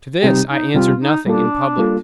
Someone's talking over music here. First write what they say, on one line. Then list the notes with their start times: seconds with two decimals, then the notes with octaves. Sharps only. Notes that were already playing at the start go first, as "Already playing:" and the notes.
To this I answered nothing in public.
0.22 C3 G3 C4 D#4 G4
0.49 D#4
0.74 C3 G3 C4 F4 G4
1.01 D#4
1.26 G3 A#3 D4 F4 A4
1.78 G3 A#3 F4 A4